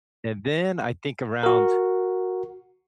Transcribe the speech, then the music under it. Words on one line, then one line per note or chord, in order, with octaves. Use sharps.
and then I think around
F#4 A#4